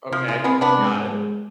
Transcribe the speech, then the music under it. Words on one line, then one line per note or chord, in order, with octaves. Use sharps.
Okay, got it.
C3 F3
G#3 E4
G#3 B3 C4
C3 B3 D4
G#3
G#2
G#3